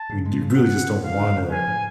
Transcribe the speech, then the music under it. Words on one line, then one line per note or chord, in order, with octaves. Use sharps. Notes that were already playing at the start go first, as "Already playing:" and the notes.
you d you really just don't wanna
Already playing: A5
C#3
G#3
C#3
D4 F#5
C#3
G#3
C#3 F5
D4
C#3
F3 G#5
A2